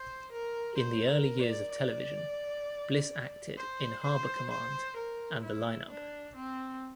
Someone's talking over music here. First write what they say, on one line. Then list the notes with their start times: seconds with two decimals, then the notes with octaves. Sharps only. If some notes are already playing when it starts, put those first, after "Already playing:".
In the early years of television, Bliss acted in "Harbor Command" and "The Lineup".
Already playing: C5
0.32 A#4
0.78 C5
1.10 A#4
1.40 D5
1.72 D5
3.57 C5
4.03 C5
4.50 C5
4.97 A#4
5.43 E4
5.90 D4
6.35 C4